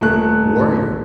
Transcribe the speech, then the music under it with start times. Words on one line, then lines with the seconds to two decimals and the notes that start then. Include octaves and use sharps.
"Who are you?"
0.01 D#1 A3 F#6